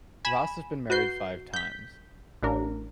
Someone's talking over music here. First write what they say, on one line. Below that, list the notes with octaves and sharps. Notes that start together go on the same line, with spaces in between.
Ross has been married five times.
G#5 B5 E7
F#4 B4 G6 C7
G6 B6
A1 D4 A#4